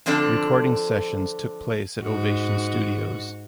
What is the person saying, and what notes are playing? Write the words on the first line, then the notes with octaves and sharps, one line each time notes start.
Recording sessions took place at Ovation Studios.
D3 F3 C4 D4 A4
G#2 F#4